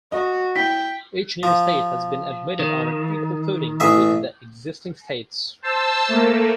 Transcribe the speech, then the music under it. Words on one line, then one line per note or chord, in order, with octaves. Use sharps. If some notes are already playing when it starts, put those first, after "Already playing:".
Each new state has been admitted on an equal footing with the existing states.
F#4 D#5
E4 G5 B6
F3
D#3
A1 G#4 E5
C5 A5 E6
A3 A#3